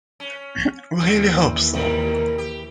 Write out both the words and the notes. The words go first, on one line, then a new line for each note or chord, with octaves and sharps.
We really hope so.
C#4
D#2 C#3 E3 C4
B2 D#3 G3 A#4
G4